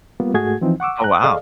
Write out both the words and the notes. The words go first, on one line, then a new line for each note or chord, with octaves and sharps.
Oh, wow.
G3 A#3 B3 F4
G#2 A3 F#4 G#4 G#6
E3 F3 C4 D#4
F#5 C#6 D6 E6
A#5 F#6
G#4 A4 D5 D#5 F5